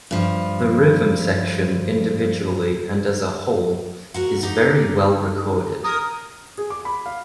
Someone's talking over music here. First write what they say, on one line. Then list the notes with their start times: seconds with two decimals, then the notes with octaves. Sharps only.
The rhythm section, individually and as a whole, is very well-recorded.
0.11 G2 F3
4.14 F#4 A#4 F#5
4.43 D#4 G4
5.84 A#4 D#6
6.58 G#4
6.70 D6
6.85 B5
7.06 F5